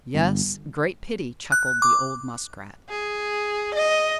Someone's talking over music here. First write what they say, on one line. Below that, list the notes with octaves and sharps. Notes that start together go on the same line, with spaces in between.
"Yes, great pity," chuckled the old Muskrat.
G1
F#6
D6
G#4
D#5